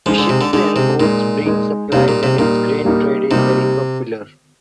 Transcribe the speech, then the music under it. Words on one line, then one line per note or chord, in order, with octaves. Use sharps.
Ships and boats bring supplies and its grain trade is very popular.
F3 G#3 D#4 G#4
D3
C3
D3
D3 G#3 D#4 G#4
C3
A#2 G#3 D#4 G#4
G#3 D#4 G#4
C3 G3 A#3 D#4
A#2
C3
A#2 G3 A#3 D#4
G3 A#3 D#4
C3 G3 A#3 D#4